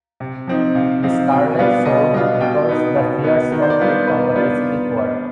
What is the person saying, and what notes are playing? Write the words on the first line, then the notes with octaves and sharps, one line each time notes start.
The scarlet sword recalls the fierce conflict of the Pacific war.
C3
F3 C4 D#4
C3 F5
F3 C4 D#4 F5
B2 G5
G3 B3 D4 F4 F5
B2 D#5
G3 B3 D4 F4 D#5
B2 G5
B3 D#4
B2
B3 D#4
D#3
C5
D5
G3 B3 D4 F4
C5
D#3 B4
G3 B3 D4 F4